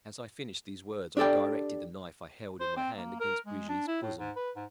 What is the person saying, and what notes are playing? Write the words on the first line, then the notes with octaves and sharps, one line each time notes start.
As I finished these words I directed the knife I held in my hand against Brigitte's bosom.
D4 G4 A4 D5 G5
C5
C4
A#3
A#4
G#3
D4
E4
A2
G#2
B4
G#2